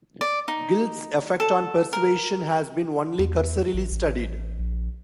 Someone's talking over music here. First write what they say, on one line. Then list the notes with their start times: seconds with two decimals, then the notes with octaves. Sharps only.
Guilt's effect on persuasion has been only cursorily studied.
0.21 D5
0.48 D#4
1.40 A4
1.93 A#4
3.19 E2
3.74 A1
3.91 A1
4.59 A#1